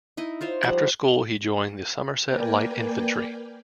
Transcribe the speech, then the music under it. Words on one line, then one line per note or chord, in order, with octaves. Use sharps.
After school he joined the Somerset Light Infantry.
D#4 E4 D#5
F4 C5 C#5
F3 G3 F#5
A#3 A#4 B4 D5 G5 G#5